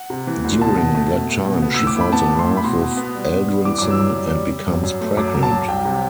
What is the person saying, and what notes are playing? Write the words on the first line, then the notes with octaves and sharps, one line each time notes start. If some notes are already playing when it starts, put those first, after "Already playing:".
During that time she falls in love with Eldrinson and becomes pregnant.
Already playing: F#5
C3
E3
D2
B2 A5
B2
A3
B2
A3
B2
B3
A2 E6
D6
A2 B5
B3 A5
A2
C6
A2
B5
B2 C6
B2
B3
G3
B3
G3
E3 D6
F#2 D6
E6
F#2
G3
G3
G3
F#2
F#2
A3
F#2 D6
F#3
A5
F#2
C2 G5
C3